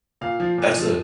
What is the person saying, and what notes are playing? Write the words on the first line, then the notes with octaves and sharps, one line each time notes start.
That's a
A#2 F5
F3
A#2
F3